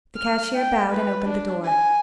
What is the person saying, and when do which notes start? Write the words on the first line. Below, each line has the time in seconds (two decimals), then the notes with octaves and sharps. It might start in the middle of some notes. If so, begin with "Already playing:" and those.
The cashier bowed and opened the door.
0.16 F6
0.55 G5
0.91 B4
1.28 D4
1.65 G#5